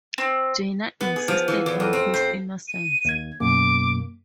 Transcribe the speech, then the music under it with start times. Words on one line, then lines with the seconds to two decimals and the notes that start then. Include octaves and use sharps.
Janner insisted on his innocence.
0.18 C4
1.01 B3
1.16 G#4
1.28 F3
1.48 E3
1.66 E2
1.80 F2
1.93 C4
2.14 C5
2.68 D#7
3.05 D#2 G#6
3.40 F#2 B2 A#3 D6